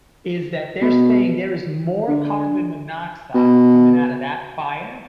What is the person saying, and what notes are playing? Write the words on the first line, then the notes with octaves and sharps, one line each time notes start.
is that they're saying there is more carbon monoxide coming out of that fire,
B2
D3
B2